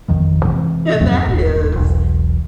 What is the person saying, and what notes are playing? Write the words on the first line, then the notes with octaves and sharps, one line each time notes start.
and that is
A1 F2 D#3 F3
G#2 C3 E3
F2 G#2 F#3 C4
D1 G1 D#2 A2
E1 B1 E2